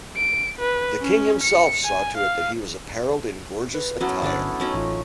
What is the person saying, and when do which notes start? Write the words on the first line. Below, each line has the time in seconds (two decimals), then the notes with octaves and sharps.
The king himself saw to it that he was apparelled in gorgeous attire.
0.16 D7
0.59 B4
1.01 C#4
1.43 C#7
1.84 G#5
2.17 F5
3.75 B4
4.01 F#3 B3 C#4 E4 A4
4.22 G1 C#4 D4 D5
4.60 A3 C#4 D#4 F#4
4.74 A1 F4